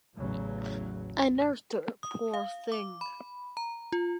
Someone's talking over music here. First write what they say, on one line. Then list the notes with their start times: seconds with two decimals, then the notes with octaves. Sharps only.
I nursed her, poor thing!
0.16 A1 E2 C#3 F#3
2.03 D#6
2.34 F5
2.72 D6
3.01 B5
3.57 A#5
3.92 F4